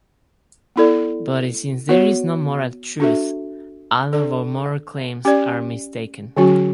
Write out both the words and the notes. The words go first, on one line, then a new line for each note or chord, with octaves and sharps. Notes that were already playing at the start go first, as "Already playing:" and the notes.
But since there is no moral truth, all of our moral claims are mistaken.
B3 E4 A4 D5
B3 F#4 C#5
D4 F#4 A4 E5
D4 A4 D5
C#4 G4 D5
D3 F#3 C#4 F#4